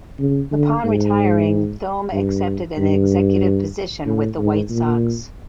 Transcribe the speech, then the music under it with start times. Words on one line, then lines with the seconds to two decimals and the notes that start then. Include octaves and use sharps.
Upon retiring, Thome accepted an executive position with the White Sox.
0.19 C#3
0.52 D3
0.84 G#2
2.13 G2
2.78 G2
4.06 A2
4.39 G#2
4.70 A#2